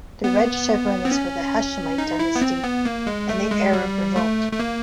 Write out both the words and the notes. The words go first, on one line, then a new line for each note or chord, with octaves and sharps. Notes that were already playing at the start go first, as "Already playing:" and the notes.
The red chevron is for the Hashemite dynasty, and the Arab Revolt.
B3
C4
C#4
D#4
E4
B3
C4
B3
A#3
G#3
A3
G#3
G3
A3
A3
A#3